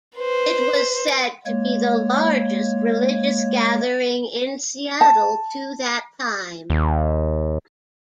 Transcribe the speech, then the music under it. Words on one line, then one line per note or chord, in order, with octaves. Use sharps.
It was said to be the largest religious gathering in Seattle to that time.
B4 C5
G#3 A#3 C#5
A5
D#2